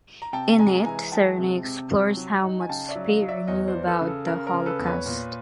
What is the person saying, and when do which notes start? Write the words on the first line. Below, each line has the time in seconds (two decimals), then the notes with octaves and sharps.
In it, Sereny explores how much Speer knew about the Holocaust.
0.22 A#5
0.33 C3 G5 A5
0.59 G#3 G#5 A#5
0.85 E3 G#5 A#5
1.12 G#3 G5 A5
1.38 C3
1.64 C3
1.91 F#3
2.17 F#3
2.43 D#4
2.60 G#5
2.69 C#3 G5 A5
2.89 D5 E5
2.96 F#3
3.08 D#5 F5
3.22 F#3
3.28 D5 E5
3.48 E2 C#5 D#5
3.68 C5 D5
3.74 E3
3.87 A4 B4
4.01 C#3
4.07 A4
4.27 C#3 A#4
4.47 A#4
4.53 C#3
4.66 A4 B4
4.79 E2
4.86 B4 C#5
5.06 A#2